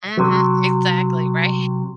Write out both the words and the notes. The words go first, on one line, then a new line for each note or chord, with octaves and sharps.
Mhm, exactly, right?
C3 F#3